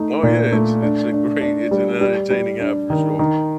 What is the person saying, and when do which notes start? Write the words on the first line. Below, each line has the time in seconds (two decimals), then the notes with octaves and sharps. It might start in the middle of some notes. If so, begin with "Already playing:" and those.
Oh, yeah. It's It's a great It's an entertaining app for sure.
Already playing: A3 D#4
0.23 A#2
0.52 A3
0.83 D4
1.12 D4
1.41 D4
1.71 G3
2.01 G3
2.30 G3
2.60 D4
2.90 D#3
3.19 D#3